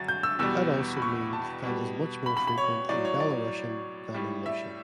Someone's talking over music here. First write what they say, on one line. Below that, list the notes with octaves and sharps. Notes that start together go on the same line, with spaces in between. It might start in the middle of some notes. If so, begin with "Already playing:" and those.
That also means that is much more frequent in Belarusian than in Russian.
Already playing: F#2 D3 F#3 A6
G6
E6
E2 B2 G3 E6
B5
C#6
A5
B2 G3
B5
B5
B5
C#5
A2 F#3 D5
C#5
D5
A2 G3
E5